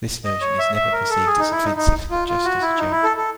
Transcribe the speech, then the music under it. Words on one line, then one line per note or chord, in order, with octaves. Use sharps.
This version is never perceived as offensive, but just as a joke.
D#5
C#5
E5
E5
A#4
A4
G#4
D#4
E4
D#4
D#4
F4
F4
F#4
E4
D#4
E4
A4
A4